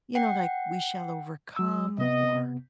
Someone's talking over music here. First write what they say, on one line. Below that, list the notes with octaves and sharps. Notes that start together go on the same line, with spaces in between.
You know, like "We Shall Overcome" or
F#5 G5
F#3 E6
C3 B3 D#5